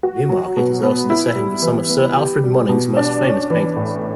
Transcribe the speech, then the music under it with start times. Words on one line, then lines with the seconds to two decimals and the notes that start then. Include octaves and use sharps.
Newmarket is also the setting for some of Sir Alfred Munnings's most famous paintings.
0.03 F#4
0.29 F#3
0.57 B2
0.83 B3
1.10 E4
1.36 G3
1.62 E3
1.89 B3
2.16 G4
2.43 G3
2.69 B2
2.97 D4
3.23 C#4
3.50 E3
3.76 A2